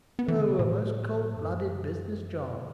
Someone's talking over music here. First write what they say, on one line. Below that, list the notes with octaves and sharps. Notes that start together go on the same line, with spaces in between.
Oh, a most cold-blooded business, John!
B3
E3
D3
C3
A2
G2
F#2
D3